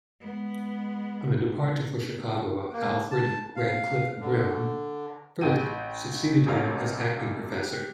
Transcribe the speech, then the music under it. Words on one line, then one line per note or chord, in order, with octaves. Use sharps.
On the departure for Chicago of Alfred Radcliffe-Brown, Firth succeeded him as acting Professor.
G#3 B3
A#3
A5
F5
D3
A1 G5 D#7
E1 A1 C3 C#4 F5
G4